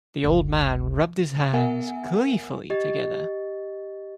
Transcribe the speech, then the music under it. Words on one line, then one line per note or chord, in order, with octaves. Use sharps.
The old man rubbed his hands gleefully together.
F#1 C#2
B3 A#4 E5 F#5 G#5
G4 D#5 A6